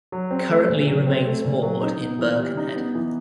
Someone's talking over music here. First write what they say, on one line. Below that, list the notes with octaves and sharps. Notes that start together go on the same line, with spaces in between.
Currently remains moored in Birkenhead.
F#3
C4
A3
A#2
F#3
C4
A3
A#2
F#3
D#4
B3
E3
G3
D#4
B3
E3